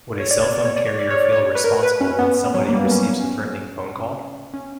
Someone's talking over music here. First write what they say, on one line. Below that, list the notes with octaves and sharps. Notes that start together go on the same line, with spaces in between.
Would a cell phone carrier feel responsible when somebody receives a threatening phone call?
C#5
D5
C#5
D5
C#5
D5
C#5
D5
C#5
D5
C#5
B4
A#4
B4
C#4
B3
F#3
A#3
G3
C#4
C#4